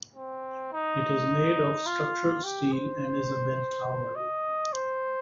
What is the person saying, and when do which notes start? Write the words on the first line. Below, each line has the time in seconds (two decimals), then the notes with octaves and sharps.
It is made of structural steel and is a bell tower.
0.16 C4
0.73 D#4
1.86 F4
2.44 G4
2.72 C5
4.15 D#5
4.73 C5